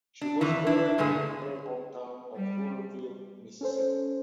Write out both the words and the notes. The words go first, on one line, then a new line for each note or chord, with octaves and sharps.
She was buried in her hometown of Ruleville, Mississippi.
D4
F2 D#3 E3
D4 E4
G2 A#2 D3 G#3 A3 G#4
G3
C#4 A4 C5